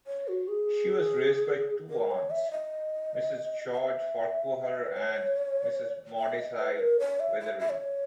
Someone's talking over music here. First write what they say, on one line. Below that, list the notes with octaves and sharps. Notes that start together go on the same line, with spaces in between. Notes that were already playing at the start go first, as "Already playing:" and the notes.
She was raised by two aunts, Mrs. George Farquhar and Mrs. Mordecai Wetherill.
C#5
F#4
G#4
A#4
C#5
E5
D#5
F#5
E5
B4
C#5
E5
D#5
B4
A#4
C#5
E5
E5
E5
C#5